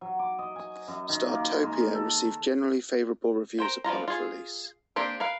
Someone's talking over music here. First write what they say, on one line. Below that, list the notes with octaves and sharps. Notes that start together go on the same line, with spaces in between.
"Startopia" received generally favorable reviews upon its release.
F#3
D6
D#5
G#5
F#2
D#3
A#3
G#3
A4
A#4 C5 G5
F3 G3 F4 A#5
F4 G#4
A#3 C4 D4 G4 C5
A#4 B4 F5